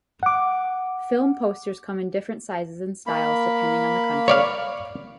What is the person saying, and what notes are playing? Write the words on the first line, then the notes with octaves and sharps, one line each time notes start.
Film posters come in different sizes and styles depending on the country.
F#5 D6
A#3 B5
C#5 D5 F5